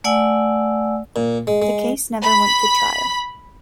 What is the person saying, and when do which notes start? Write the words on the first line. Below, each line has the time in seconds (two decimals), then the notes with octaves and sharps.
The case never went to trial.
0.04 A3 D5 F#5 G#5 E6
1.16 A#2
1.47 G#3
1.62 G#3
2.23 B5